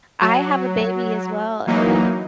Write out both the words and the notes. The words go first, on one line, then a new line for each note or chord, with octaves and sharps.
I have a baby as well, and
F#3
E3 F#3 A#3 D#4